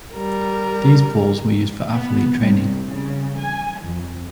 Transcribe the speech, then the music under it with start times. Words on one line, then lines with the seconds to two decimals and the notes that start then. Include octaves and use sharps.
These pools were used for athlete training.
0.15 G3 A#4
1.91 B3
2.38 C2
2.87 C#3
3.38 G#5
3.81 F2